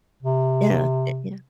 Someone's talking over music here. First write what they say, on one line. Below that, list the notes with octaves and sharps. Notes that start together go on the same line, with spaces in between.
Yeah, y yeah,
C3